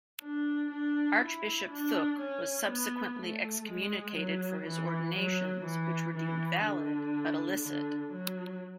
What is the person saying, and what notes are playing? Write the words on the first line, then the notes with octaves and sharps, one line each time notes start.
Archbishop Thục was subsequently excommunicated for his ordinations, which were deemed valid but illicit.
D4
D4
E4
D4
C#4
B3
A3
G#3
F#3
E3
F#3
E3
E3
D3
D3
F#3